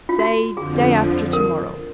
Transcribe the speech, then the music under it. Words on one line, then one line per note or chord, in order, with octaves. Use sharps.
"Say day after to-morrow."
F4
F#4
F2 D3 F3 G#4
A#4